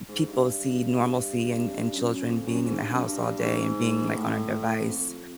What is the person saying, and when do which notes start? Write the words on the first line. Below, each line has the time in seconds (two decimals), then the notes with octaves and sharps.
people see normalcy and and children being in the house all day and being, like, on a device,
0.08 G#2
0.27 G2
1.92 F#2
2.10 F#2
2.28 F2
2.46 F#2
2.65 G#2
2.78 G2
2.89 F#2
3.02 G2
3.38 G#2
4.11 A2
4.85 F2